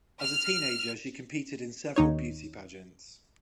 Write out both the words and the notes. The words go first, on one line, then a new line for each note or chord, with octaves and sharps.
As a teenager she competed in several beauty pageants.
F6
D#2 D#4 C#5